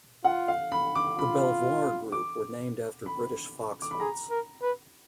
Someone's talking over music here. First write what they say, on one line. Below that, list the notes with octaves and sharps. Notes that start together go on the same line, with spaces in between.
The "Belvoir" group were named after British fox hunts.
F4 F#5
F5
B5
D6
F4 B5
D6
B5
D6
B5
G#4 A#5
A#4
B4